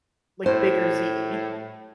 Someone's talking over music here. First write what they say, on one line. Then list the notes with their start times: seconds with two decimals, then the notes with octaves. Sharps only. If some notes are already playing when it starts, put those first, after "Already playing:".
like, bigger ziti.
0.46 A2 C5